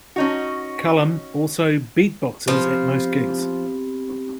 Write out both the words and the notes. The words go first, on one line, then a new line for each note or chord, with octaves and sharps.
Cullum also beatboxes at most gigs.
C#4 D#4 F#4
F3 B3 C4 G4